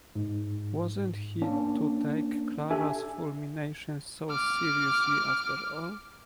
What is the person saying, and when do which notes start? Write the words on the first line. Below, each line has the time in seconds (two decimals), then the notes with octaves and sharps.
Wasn’t he to take Clara’s fulminations so seriously, after all?
0.15 G#2
1.42 A#3 C#4 D4
2.71 D4 G4 A4 E5 G#5
4.30 D6 F6